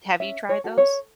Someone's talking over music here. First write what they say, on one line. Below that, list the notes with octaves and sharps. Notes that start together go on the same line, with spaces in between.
Have you tried those?
C#4 E5
C#5
F#4 A4
C#5